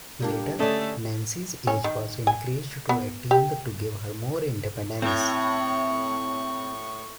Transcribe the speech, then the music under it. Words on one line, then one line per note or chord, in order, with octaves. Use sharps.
Later, Nancy's age was increased to eighteen to give her more independence.
G3 A#3 D4
D3 A3 C#4 A4 D5 D#5
C#4
D#3
G#5
B3
G4
A2 C4 C#5 C#6